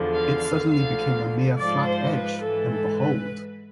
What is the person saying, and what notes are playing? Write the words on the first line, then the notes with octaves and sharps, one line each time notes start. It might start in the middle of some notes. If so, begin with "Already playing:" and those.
It suddenly became a mere flat edge, and behold!
Already playing: E2 D3 F3
F5
F5
D2 D3 F3 F5
G#2 F3 D5
C5
B4
G#2 E3 A4
A4
B4